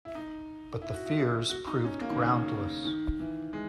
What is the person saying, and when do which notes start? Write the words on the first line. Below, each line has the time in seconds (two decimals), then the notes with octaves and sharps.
But the fears proved groundless.
0.05 E4
0.15 D#4
0.82 E4
0.94 F#4
1.06 E4
1.49 F#4
1.67 D#4
1.84 C#4
2.01 A#3
2.10 D#3
2.17 C#3
2.85 D#3
3.20 E3
3.53 G#3